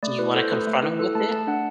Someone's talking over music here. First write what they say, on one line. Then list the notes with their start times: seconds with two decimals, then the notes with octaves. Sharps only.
Do you wanna confront him with it?
0.03 A3 D5
0.19 E4 B4
0.35 A4 C5
0.51 A3 B4
0.67 A3
0.83 E4 B4
0.99 A4 B4
1.15 A3 A5
1.32 A3 A5
1.47 D4 F#5